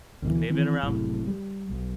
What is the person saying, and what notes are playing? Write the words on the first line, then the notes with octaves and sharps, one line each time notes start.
And they've been around
D2 B2 E3
D#3 E3 C4
F#1 C2 A2 C3
G3
B1